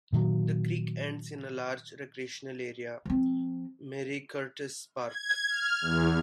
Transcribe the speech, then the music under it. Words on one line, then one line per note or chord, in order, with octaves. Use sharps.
The creek ends in a large recreational area, Marie Curtis Park.
A#2 D#3 F#3
F3 C4
G#6
F6
E2